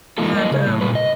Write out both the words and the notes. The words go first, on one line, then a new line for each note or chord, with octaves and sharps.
and, um,
E3 A#3 D#4 F4 A4
G#3 A#3 D#5
C#3
A2
A#2 G3 B4
D#5